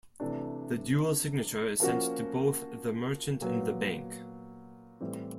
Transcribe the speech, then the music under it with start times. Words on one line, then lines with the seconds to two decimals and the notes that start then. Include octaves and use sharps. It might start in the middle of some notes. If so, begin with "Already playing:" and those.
The dual signature is sent to both the merchant and the bank.
0.20 C3 E3 A3 D4
1.80 F3 A#3 C#4 F#4
3.41 A#2 F#3 B3
5.01 A2 E3 G3 C4